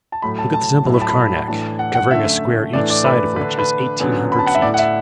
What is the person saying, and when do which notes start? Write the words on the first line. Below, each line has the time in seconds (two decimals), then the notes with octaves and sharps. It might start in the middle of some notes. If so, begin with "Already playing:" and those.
Look at the Temple of Karnac, covering a square each side of which is eighteen hundred feet.
0.12 A5
0.22 A2 F#3 A3 B5
0.39 A5
0.54 A5
0.85 A2 F#3 A3 E4
0.94 B5
1.02 A5
1.09 B5
1.48 A2 E3 A3 D4 A5
1.79 F#5
1.95 F#5
2.11 F#2 D3 A3 E5
2.73 A2 E3 A3 D4 D5
2.90 D5
3.05 B4
3.36 D3 A3 D4 B4
3.59 B4
3.99 F#2 D3 F#3 B3
4.32 B5
4.39 A5
4.46 F#5
4.55 E5
4.62 A2 A3 E4 D5
4.74 F#5
4.79 E5